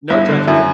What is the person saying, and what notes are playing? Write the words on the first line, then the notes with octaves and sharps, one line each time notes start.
No judgment.
G1 E4
D3
F#2 E4